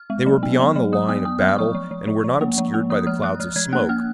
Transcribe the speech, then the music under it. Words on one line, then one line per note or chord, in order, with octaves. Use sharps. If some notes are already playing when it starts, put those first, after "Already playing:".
They were beyond the line of battle and were not obscured by the clouds of smoke.
Already playing: F6
G#3
F#3
B3
F#3
F#3
F#3 D#6
B3 D#6
B3 D#6
F#3 F6
D#6
F3 C#6
F3
F3
F3
F3
A#3
F3
A#3
F3 D#6
F3 F6
F3 F#6
F3 F6
F3 G#6
A#3 F#6
A#3 F6